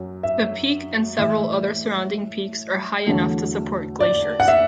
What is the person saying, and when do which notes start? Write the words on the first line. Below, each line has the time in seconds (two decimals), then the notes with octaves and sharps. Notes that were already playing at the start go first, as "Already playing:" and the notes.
The peak and several other surrounding peaks are high enough to support glaciers.
Already playing: F#2 F#3
0.23 E5
1.17 A2 E3 A3 E5
3.07 E2 D3 F#3 A3
4.00 D5
4.40 F#5
4.48 E5